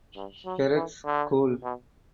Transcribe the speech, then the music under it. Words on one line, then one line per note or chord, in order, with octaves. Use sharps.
Peretz School.
G2
F#3
E3
D3
B2